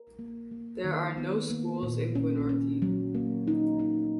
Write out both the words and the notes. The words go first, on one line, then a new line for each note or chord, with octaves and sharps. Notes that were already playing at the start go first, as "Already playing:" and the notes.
There are no schools in Glenorchy.
Already playing: A#4
A#3
A#3
D#3
B3
A#3
A#2
C#4
C#4
F#3
A#3
D#4
D#4